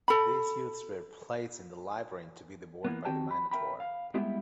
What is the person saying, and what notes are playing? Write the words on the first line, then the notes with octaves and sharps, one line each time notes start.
These youths were placed in the labyrinth to be devoured by the Minotaur.
A4 B5
E3 A#3 B3
D#3 C4 F#4 G4 G5 A5
B5
A#4 E5 G5 B5
F5
G3 G#3 B3 E4 G4 E5